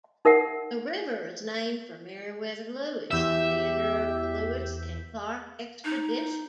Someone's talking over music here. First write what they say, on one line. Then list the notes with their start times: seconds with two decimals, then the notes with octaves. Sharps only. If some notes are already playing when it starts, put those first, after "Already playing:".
The river is named for Meriwether Lewis, commander of the Lewis and Clark Expedition.
0.25 D#4 A#4 E5 F#5
3.11 E2 G4 E5 E6 G6
5.85 D#4